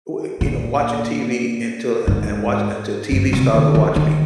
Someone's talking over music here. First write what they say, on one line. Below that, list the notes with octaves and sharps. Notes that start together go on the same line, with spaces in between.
w you know, watching TV until, and and watch until TV start to watch me."
A#2
G#2
G2
C3
D#3
F3
D#3